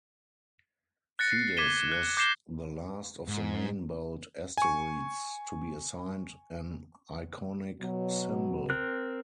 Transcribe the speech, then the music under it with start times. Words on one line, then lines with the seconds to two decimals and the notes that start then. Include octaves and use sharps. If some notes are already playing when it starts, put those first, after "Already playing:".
Fides was the last of the main-belt asteroids to be assigned an iconic symbol.
1.19 F#6 A6 A#6 C#7
1.32 C7
1.57 D6 G#6 B6 D#7 E7 G7
1.92 F#6 C#7
2.17 D6 G6 A#6 C7 E7 G7
3.28 G#2
4.57 G#5 C#6
7.81 B2 F#3
8.70 C4 A#4 F#6